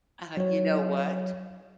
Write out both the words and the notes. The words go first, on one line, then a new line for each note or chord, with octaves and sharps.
Uh-huh you know what?
F#3 C#5